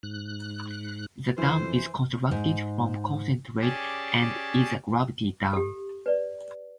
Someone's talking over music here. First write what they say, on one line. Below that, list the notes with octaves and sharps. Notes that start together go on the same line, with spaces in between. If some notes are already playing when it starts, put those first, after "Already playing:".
The dam is constructed from concrete and is a gravity dam.
G#2 F#6
F2 E3 C5
G#2
C#4 G4 G#4 D5 A5
G4 A4
B4 D5